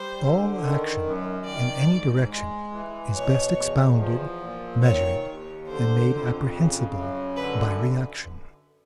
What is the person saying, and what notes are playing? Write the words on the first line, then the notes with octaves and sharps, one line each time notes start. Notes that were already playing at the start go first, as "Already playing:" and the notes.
All action in any direction is best expounded, measured, and made apprehensible, by reaction.
Already playing: G3 C5
D3
D#3
F#2
D#3 D5
G#2
G#3
E3
B2 C#5
E2
F3
A#2
D#3 C#5
D#2
D3 C5
F2
C#3
F#2
D3 B4